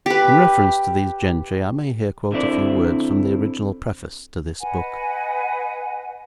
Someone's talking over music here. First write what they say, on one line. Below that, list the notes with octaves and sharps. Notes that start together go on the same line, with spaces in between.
In reference to these gentry, I may here quote a few words from the original preface to this book.
G4 B4
D3 C4 E4 D5
B4 D#5 F#5 G#5